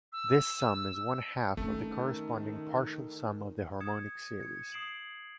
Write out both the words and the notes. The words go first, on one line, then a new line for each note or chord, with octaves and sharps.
This sum is one half of the corresponding partial sum of the harmonic series.
E6
D#3 A3 C4 C#4
D#6 G#6 C#7 E7
G#6 C#7
D#6 C7 D7 E7 F#7